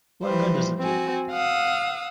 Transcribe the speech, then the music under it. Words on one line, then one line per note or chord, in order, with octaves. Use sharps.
What good does it do?
E3 F3 G3 B4 C5
C4 F#4 G#5
F5 F#5 D#6 E6